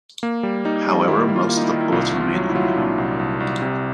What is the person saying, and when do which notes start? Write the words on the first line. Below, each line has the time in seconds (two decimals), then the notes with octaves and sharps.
However, most of the poets remain unknown.
0.23 A#3
0.43 G3
0.65 G3 D#4
0.87 G3
1.08 D#3 E4
1.29 A#3
1.36 F4
1.49 A#3
1.57 D#4
1.64 E4
1.71 D#3
1.81 E4
1.92 C2 F4
2.13 C2
2.20 F4
2.34 F#3
2.49 E4
2.55 F#3 F4
2.63 E4
2.77 A#2 D4
2.98 C2
3.20 C2
3.40 C2
3.62 C3